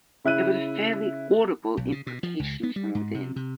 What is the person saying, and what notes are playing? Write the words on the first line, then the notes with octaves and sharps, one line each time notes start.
There was a fairly audible imprecation from within.
C#3 E4 F#6 D#7
B1
C#3
B2
F3
C#2
B3
G3
G#2
C3
C3